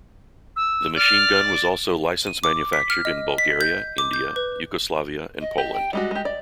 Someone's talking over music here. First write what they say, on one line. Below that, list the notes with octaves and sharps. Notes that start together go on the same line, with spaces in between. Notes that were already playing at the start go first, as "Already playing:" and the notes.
The machine gun was also license-manufactured in Bulgaria, India, Yugoslavia and Poland.
E6
D5 F6
D#7
D6
B6
F6
D#5
B6
G6
D6
G6
B4
D#5
G4
G5
G3 G#3 F#4 D#5
G#3 G4
D5